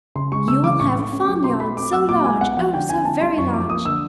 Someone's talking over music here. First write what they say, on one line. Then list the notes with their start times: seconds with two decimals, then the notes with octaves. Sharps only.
You will have a farm-yard, so large, oh! so very large!
0.15 C#3 C6
0.32 G#3 C#6
0.47 C#3 E6
0.63 E3 D6
0.80 A2 C#6
0.96 A3
1.12 C#4
1.28 F#3
1.44 B2 C6
1.60 A3 B5
1.77 C4 D6
1.92 F#3 E6
2.08 A#2 D6
2.25 G#3 G#5
2.41 B3 F#5
2.57 F3 F#5
2.74 D3 G5
2.89 C4 G#5
3.05 D3 A5
3.21 G3 C6
3.37 F#2 C#6
3.53 F3 D6
3.70 A#3 D#6
3.85 D3 E6